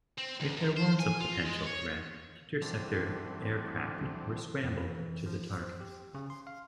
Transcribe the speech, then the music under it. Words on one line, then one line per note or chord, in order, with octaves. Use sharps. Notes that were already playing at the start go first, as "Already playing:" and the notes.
If there was a potential threat, interceptor aircraft were scrambled to the target.
C4
D2
F#2
C5
G#5
F4
G#3
C#5
E3 F#3 G3 A3 C4 D4
F2
E3
F3
C5
G4
C#3
C6
F5